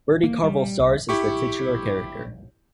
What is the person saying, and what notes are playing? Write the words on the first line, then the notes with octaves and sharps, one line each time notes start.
Bertie Carvel stars as the titular character.
A#3
G3
C2
E4 G4 C#6